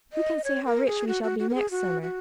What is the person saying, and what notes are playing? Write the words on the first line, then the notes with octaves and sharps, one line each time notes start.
Who can say how rich we shall be next summer?
D#5
C#5
A#4
G#4
F#4
F#4
F#4
A#4
G#4
F#4
F#4